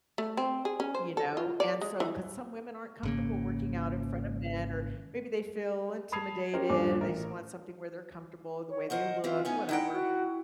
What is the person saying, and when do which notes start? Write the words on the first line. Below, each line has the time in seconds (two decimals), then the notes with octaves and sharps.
you know? And so 'cause some women aren't comfortable working out in front of men or maybe they feel intimidated, they just want something where they're comfortable, the way they look, whatever.
0.18 A3
0.37 C4
0.65 G#4
0.80 C#4
0.95 C5
1.17 A4
1.37 F4
1.60 D5
1.81 G#3
2.00 E3
3.03 G#1 C#3 A#3
6.12 A5 B5 D#6 G#6 C7 F7
6.54 C#4 G4 A#4 C5
6.69 D#1 G2 F3 G#5 D6
7.01 A1 A#4
8.70 C#5
8.90 A#4 C5 D#5 F#5
9.24 F#2 E3 C4 F4
9.45 B3 C#4 D#4 G#5
9.69 D#4 E4 F#5 G5
9.93 F#4